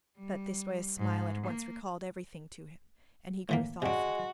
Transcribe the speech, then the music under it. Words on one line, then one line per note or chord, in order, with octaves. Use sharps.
But this joyous smile at once recalled everything to him, and he grew thoughtful.
G3
G#2
A#3
A2 E3 A#3
C3 G#3 D4 F#4